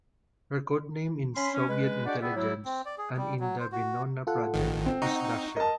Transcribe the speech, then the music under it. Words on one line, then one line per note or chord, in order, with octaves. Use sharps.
Her code name in Soviet intelligence and in the Venona project is "Dasha".
C#4 B5 C6
C#4
G#3 B4
G#3 D4 F#4 G4 D5 F#5
G3 B3 G#4 B4 E5
F#3 G3 E4
C4
D5
G#4
G3
F#3
C5
F#4
F4 A4 F#5
A1 D#3
C4
D#4 F#5 A#5 C#6
A#4 D#5 A5